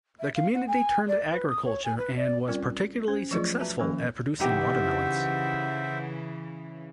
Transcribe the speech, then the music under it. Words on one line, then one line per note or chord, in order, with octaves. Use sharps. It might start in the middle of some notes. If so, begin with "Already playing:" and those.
The community turned to agriculture and was particularly successful at producing watermelons.
E5
F5
F#5
G#5
D5
B4
D#6
C#5
G#5
B4
D5
G3 C4 C#4 F4 A#4 D5
C#4 C5
F3 F#3 A3 F4 G#4 D5
F#4 B4 E5 A5 A#5
D#3 F3 A#3 C#4 A#4
C#3 E3 D#4 G4 C5 E5 F#5